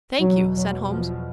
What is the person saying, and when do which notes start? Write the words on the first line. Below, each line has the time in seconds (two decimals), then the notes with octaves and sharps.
"Thank you," said Holmes.
0.19 E2 B2 F#3
0.56 F#3
0.91 F3